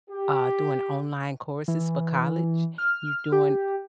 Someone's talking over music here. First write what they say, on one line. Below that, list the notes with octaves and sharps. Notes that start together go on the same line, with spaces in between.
uh, doing online courses for college. You doing,
G4
E3
F6
G4